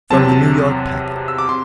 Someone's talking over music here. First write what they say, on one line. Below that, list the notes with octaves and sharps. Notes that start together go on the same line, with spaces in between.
From the New York Packet.
E2 C3 F#3 C4 A5
E6
D6
C3 C6